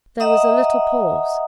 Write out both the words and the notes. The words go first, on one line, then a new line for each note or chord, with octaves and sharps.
There was a little pause.
D#5 E5 F#5 A#5 D#6